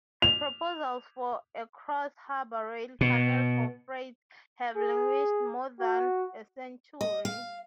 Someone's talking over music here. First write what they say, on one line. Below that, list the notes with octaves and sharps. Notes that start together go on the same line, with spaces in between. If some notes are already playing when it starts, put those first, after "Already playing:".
Proposals for a Cross-Harbor Rail Tunnel for freight have languished more than a century.
F7
B2
G#4
F#4
D#5
F5